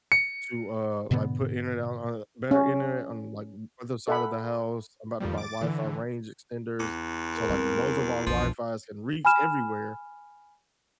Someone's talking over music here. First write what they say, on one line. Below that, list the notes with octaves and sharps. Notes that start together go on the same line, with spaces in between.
to, uh, like put internet on better internet on like other side of the house, I'm about to buy Wi-Fi range extenders, so like both of our Wi-Fis can reach everywhere.
C#7
G#2 B2 D3 B3
C#4
A4 E5 F#5 G#5 B5
F2 D#3 F3 G3
D6 A6
D3 E3
E2
A#4
G3 C4
A#1 E2 F3
G#5 B5 F6 E7